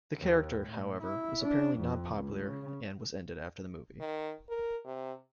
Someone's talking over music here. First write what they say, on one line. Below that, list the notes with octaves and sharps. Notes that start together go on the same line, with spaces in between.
The character, however, was apparently not popular and was ended after the movie.
D#2
A2
E4
D4
F2
C#2
C#3
D#3
A#4
C3